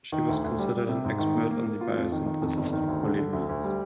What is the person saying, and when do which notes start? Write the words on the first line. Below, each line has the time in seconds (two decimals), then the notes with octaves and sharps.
She was considered an expert on the biosynthesis of polyamines.
0.12 D#3
0.28 D2
0.44 D2
0.59 G3
0.74 G3
0.89 C3
1.05 G#2
1.19 D#3
1.35 A#3
1.51 A#3
1.66 A#3
1.81 F4
1.97 F2
2.12 D#3
2.26 D#3
2.42 F2
2.57 G1
2.73 D#3
2.88 D2
3.03 D3
3.18 D3
3.33 D2
3.49 D2
3.64 G3